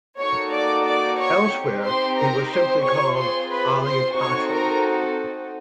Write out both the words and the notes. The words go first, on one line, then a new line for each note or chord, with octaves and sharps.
Elsewhere he was simply called "Ali Pasha".
A#3 D#4 F#4 A4 C#5 C#6
D5 D6
D5 D6
C#5 C#6
C4 D#4 G4
C5 C6
A#4 A#5
C5 C6
C4 F4 G#4 C#5 C#6
C5 C6
B4 B5
C5 C6
C4 D#4 F#4 A4 C#5 C#6
A#4 A#5